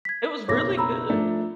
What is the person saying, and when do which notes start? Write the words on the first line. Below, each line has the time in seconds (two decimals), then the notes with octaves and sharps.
It was really good.
0.05 G#6 B6
0.48 F#1 B1 C#5 D6 A#6
0.77 A#5 B5 E6
1.10 F3 A3 D4